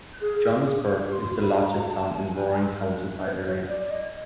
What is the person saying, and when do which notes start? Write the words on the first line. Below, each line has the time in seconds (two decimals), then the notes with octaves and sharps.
Johnsburg is the largest town in Warren County by area.
0.21 G#4
0.65 G#4
1.08 G4
1.30 F#4
1.52 G4
1.74 F#4
2.82 A#4
3.25 B4
3.47 C#5
3.69 D5
3.85 D5
3.91 D#5